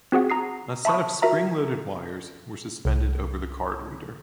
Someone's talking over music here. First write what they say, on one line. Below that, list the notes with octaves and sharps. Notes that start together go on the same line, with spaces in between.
A set of spring-loaded wires were suspended over the card reader.
C4 F#4 G#4 F#5
A#5 D#6 C7
E5 A5 B5 C#6 D#6
F#4 A#4 E5 A#5
C2